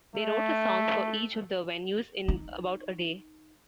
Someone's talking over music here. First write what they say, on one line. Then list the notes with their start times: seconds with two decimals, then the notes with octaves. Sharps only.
They wrote a song for each of the venues in about a day.
0.15 A3
2.28 D#4